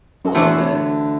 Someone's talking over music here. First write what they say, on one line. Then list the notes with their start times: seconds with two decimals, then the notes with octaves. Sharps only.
A little bit.
0.24 F#2
0.35 E2 E3 A3 D4 F#4 C5
0.61 C3
0.70 D3